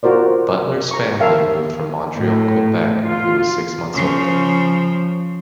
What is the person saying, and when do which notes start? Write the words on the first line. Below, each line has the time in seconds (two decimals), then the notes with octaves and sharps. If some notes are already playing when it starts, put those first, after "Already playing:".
Butler's family moved to Montreal, Quebec, when he was six months old.
0.03 F4 F#4 A#4 C5 D5
0.91 A#5 C#6
1.20 A#4 E5 F5 G5 A5
2.17 A2
3.02 F4
3.94 C#3 F3